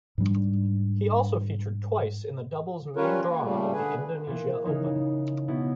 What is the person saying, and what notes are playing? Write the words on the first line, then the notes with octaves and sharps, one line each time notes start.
He also featured twice in the doubles main draw of the Indonesia Open.
G#2 F3 G3 D4
G3 C#4 F4 A#4 B4 C#5
A#3
A#2 C#3 G3 A3
D3 G#4 B4
A#2 E3
C#3 E3 D#4
B2 B3 E4